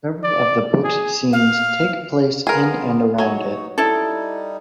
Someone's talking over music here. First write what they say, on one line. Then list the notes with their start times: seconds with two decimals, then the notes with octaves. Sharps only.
Several of the book's scenes take place in and around it.
0.24 D5
0.84 G#4
1.33 F5
2.47 B3 F4 G#4 A#4
3.18 F#3 D#4 C#5 G#5
3.78 G3 D#4 E4 A4